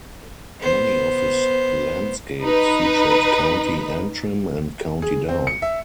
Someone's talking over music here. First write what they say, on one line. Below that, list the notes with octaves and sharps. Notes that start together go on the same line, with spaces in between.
Many of his landscapes featured County Antrim and County Down.
B3 C5
D#4 B4
G#4
C4
C#7
E5